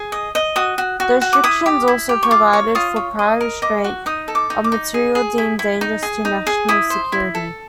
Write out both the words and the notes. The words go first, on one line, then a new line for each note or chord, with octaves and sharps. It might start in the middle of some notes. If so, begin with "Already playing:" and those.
The restrictions also provided for prior restraint of material deemed dangerous to national security.
Already playing: G#4
D#5
D#5
F#4 D#6
F#4
F#4
F#4
D6
E4 D#6
G4
E4
G4
C#6
F4 D6
C#5
F4 D#6
C#5
D#5
A#4
D#5 D6
F#4
D#4 D#6
A4
D6
D#4
D6
D#4
G#4
G#4
E4
E4
D#4
G#4
D#4
G#4
E4 D#6
C5
E4
A4